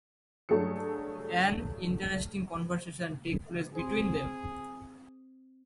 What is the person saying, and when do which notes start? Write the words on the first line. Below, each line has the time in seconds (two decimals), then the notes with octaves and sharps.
An interesting conversation takes place between them.
0.49 G2 F#3 A3 G#4 A4 C#7
3.75 C4 G#4 C5